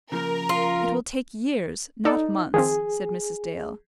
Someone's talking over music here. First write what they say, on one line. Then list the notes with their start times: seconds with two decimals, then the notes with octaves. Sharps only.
"It will take years,--not months," said Mrs. Dale.
0.12 C#3 F3 A#3 A#4
0.49 F4
2.05 D#4 A4 D5
2.54 D#3 F3 C4 G#4